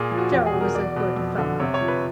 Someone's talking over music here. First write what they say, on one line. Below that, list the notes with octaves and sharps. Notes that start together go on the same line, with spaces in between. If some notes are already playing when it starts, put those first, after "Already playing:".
Joe was a good fellow.
Already playing: A#2 G#4
F3
F#4
E2 G4
G#4
B2
A#4
E2 D5
B2
F2
D3
C3 C#5
C#5
F3
B4